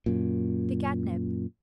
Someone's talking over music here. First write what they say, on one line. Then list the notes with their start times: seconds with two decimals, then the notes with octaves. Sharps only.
The Cat-nip.
0.06 F#2 A#2